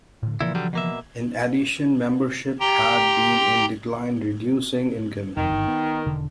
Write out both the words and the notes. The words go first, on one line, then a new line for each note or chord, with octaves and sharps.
In addition, membership had been in decline, reducing income.
A2 D3
A#2 C#3 E3 F3 E4
D3 F#3 G3
B2 A#3 E5
G4 G5 A#5 C6
F1 F2 D#3
G1
B3
E1 D3